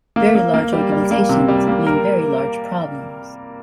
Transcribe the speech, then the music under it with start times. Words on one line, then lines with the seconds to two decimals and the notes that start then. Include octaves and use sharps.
Very large organizations mean very large problems.
0.16 A#3
0.35 A#3
0.54 A#3
0.73 G3
0.92 G3
1.11 A#3
1.29 C3
1.48 G3
1.68 A#3
1.87 A#4